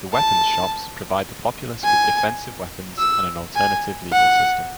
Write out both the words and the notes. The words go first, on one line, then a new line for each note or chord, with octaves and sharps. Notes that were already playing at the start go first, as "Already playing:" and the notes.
The Weapon Shops provide the populace with defensive weapons and an alternative legal system.
A5
G#5
E6
G#5
F#5